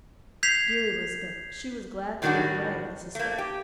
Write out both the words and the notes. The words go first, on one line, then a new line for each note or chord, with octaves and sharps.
Dear Elizabeth, she was glad to get away, I suspect!
G6 G#6 B6 C7 F7
A2 D#3 F#3 G3 D4 F#4
A3 A#3
G4